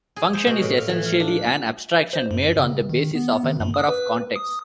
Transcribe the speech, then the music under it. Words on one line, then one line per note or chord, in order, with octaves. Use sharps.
"Function is essentially an abstraction made on the basis of a number of contexts".
G#4
C5
B2
A2
F5
E3
F5
D4
C5
F#2
C#3
D#3
B3
D#3
F#2
D#6
B4
D#6